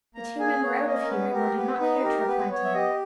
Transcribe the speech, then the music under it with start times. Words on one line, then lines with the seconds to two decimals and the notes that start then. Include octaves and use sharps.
The two men were out of hearing, or did not care to reply to him.
0.15 A#3 A#5
0.39 G#4 G#5
0.62 A#3 C#5
0.86 C#4 D#5
1.01 A#4
1.10 B3 B4
1.32 G4 A#4
1.57 B3 B4
1.80 D#4 B4
2.03 G4 A#4
2.27 B3 B4
2.51 B3 C#5
2.65 E5
2.74 G4 D#5